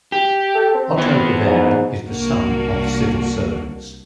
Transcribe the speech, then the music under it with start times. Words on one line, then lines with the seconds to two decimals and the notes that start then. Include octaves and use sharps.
Otto Guevara is the son of civil servants.
0.12 G4
0.55 A4
0.75 C4
0.98 E3 B3
1.46 G#2
2.08 C2 A#3 D4 F#4